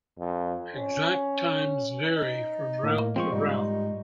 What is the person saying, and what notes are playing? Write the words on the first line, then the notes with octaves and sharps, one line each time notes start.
Exact times vary from route to route.
F2
C#4
D#4
A2 A#3
F3 G#3 C4 F4 C5 C#6
G#2 G3 D#4